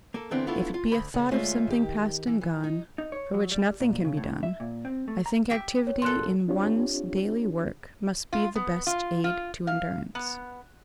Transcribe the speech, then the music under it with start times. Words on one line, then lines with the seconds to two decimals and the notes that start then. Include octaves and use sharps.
"If it be a thought of something past and gone, for which nothing can be done, I think activity in one's daily work must be the best aid to endurance."
0.14 A#3 A4
0.31 D3 E3 A3 B3 C4 D4
0.47 A3 B3 D4 E4 F4
0.74 F4
0.92 D2 B5
1.14 C#3 B3
1.31 D2 G#3 A3 F4 C#5 E5
1.71 D#3 G4
2.27 E3
2.41 E3
2.64 D#4
2.98 D#4
3.12 C#5
3.34 F#3
3.52 G3
3.80 A#2
4.05 C#3
4.17 A2
4.43 E5
4.60 A#2
4.85 C4
5.08 A3
5.26 A#5
5.50 G4 E5
5.87 C#5
6.02 A#2 A4 C6 F#6
6.48 C4 D4 F4 G4 C#5
8.33 F4
8.56 B3
8.87 F4
9.24 F4
9.67 F5
10.15 B3